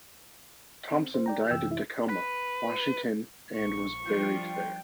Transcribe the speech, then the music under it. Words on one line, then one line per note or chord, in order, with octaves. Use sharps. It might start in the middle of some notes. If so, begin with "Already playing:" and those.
Thompson died in Tacoma, Washington and was buried there.
C4
C5
D5 G5 A#5
F#2 C3 E3 G5 E6
E4 E5
B4
A#1 C#6
F3 G3 D4 F4 G5